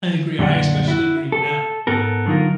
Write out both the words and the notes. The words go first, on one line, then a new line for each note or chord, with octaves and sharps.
I agree. I especially agree now.
F#2 A#2 D3 G4 D5 F#5
E4 F#4
A4
G#2 B3 A4 A#4
D3 F#3 D#4 F4 A#4